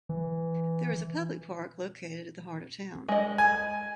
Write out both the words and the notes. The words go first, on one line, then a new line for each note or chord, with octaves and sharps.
There is a public park located in the heart of town.
E3
G#3 D#5
G#5